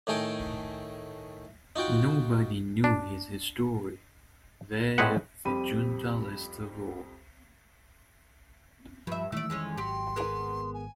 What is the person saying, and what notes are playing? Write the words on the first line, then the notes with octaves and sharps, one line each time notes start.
Nobody knew his history, they of the Junta least of all.
A2 D#3 A3 G#4 G5
D#4 F4 F#4 G5
D4
A2 G#3 C4 G#4 B4 F#5
F2 G3 C4 G4 B5 D#7
G2 F3 E5 B5
D#3 E3 A3 D5 E6
F2 G#3 C#4
G#1 F#3 G4 C6
B3 G#4 A#4
G#5